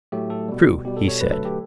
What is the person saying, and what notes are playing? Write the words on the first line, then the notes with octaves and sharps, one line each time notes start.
True, he said.
A2 F#3 A3 G4
A4
B2 G3
B2 G3 G4
A4
C#5
D3 F#3 A3 B4
A4
G4